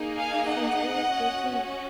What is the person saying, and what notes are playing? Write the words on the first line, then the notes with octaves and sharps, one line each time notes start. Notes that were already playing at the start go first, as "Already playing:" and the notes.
Since I was fourteen.
Already playing: A#3 D#4 G#4
F5 G#5
D#5 F#5
C#4 F#4